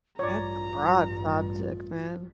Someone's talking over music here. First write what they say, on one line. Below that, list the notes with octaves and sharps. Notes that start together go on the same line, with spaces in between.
That's a broad subject, man.
A1 G2 F4 C#5 D5 A#5